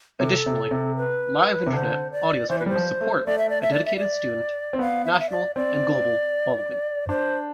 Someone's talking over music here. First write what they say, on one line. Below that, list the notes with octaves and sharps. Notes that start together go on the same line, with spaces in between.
Additionally, live Internet audio streaming supports a dedicated student, national, and global following.
C3 A4
C3
C3
B4
C3
D3 C5
D5
E3 C5
B4
G3 C5
F3
A3
A3 D5
E5
D5
E5
D5
E5
D5
C4
B3 F5
E5
F5
E5
D5
C4 D5
D4 C5